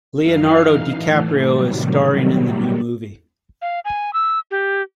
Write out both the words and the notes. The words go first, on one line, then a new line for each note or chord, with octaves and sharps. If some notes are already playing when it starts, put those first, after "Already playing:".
Leonardo DiCaprio is staring in the new movie.
F#2 E3 D#4 F5 F6 C7
A2 E3 A3
A2 C3 D#3 F#3 G3
F5
G#5
E6
G4